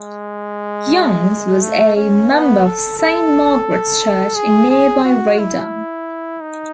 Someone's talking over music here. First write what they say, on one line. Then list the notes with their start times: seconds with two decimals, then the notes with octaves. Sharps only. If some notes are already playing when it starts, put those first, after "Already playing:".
Youngs was a member of Saint Margaret's Church in nearby Reydon.
Already playing: G#3
1.62 A3
1.96 C#4
2.31 B3
2.65 A4
2.99 A4
4.35 G#4
4.70 G#4
5.04 F#4
5.39 E4
6.41 D#4